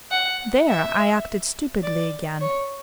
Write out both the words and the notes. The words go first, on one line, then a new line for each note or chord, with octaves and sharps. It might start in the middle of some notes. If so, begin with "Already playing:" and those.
There I acted stupidly again.
F#5
E5
D5
C#5